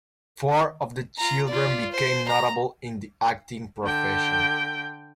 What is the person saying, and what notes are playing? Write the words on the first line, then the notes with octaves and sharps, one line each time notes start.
Four of the children became notable in the acting profession.
F4 A#5
F4 D5
C5
A#5
D3 G5